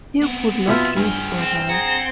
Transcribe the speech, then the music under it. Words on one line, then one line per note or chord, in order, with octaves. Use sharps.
He could not read or write.
B3 C4
B2 F4 E5
G2 F4 G#4 F6
C4
G#4 F#5 G#5 A#5